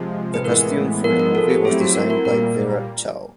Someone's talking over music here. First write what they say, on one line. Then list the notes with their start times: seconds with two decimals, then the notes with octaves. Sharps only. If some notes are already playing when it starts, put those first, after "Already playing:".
The costume for the movie was designed by Vera Chow.
Already playing: C3 F3 G#3
0.34 B4
0.44 A2 E3 G#3 B3 A#4
1.04 F3 G#3 B3 A#4
1.19 A#4
1.35 A4
1.50 G4
1.64 F#3 A3 C4 E4 G#4
1.80 F#4
1.95 A#4
2.10 A#4
2.25 A#2 G3 A#3 A#4